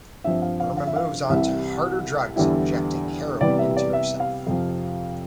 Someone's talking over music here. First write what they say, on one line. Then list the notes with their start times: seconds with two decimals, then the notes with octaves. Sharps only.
Burma moves on to harder drugs injecting heroin into herself.
0.24 G2 F3 C4 E5
0.42 F5
0.60 F5
0.77 F5
0.87 E5
0.96 F5
1.30 C2 C3 E3 G3 E5
2.36 E2 D3 G3 B3 E4
3.41 C3 E3 G3 B3 D5
3.59 E5
3.77 D5
3.93 E5
4.20 F5
4.47 F2 C3 F3